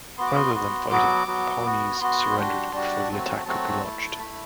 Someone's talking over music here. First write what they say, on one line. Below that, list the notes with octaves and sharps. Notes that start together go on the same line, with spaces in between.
Rather than fighting, the Pawnees surrendered before the attack could be launched.
B3 F#4 C6
D6
C6
B3 F#4
F#3 B3 F#4 D6
F#3 B3 F#4
B3 F#4
B3 F#4 C6
G3 D4 F#4
G3 D4 F#4 A5
F#3 A3 C4 F#4
F#3 A3 C4 F#4 A5
A3 E4
A3 E4 B5